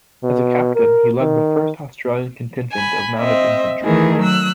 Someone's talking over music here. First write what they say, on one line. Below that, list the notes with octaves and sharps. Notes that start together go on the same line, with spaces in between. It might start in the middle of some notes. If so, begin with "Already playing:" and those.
As a Captain, he led the first Australian contingent of mounted infantry.
B2
A#4
D#3
G#5 B5
C4 D#5 E5
D#3 E3 A3 G#4 A#4
F#3 E6 F#6